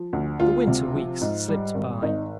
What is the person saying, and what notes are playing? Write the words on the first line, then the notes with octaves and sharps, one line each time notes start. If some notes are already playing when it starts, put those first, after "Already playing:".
The winter weeks slipped by.
Already playing: F3
D2
D2 F4
C3
F3
G#2
G3
G#1
G#1 D#4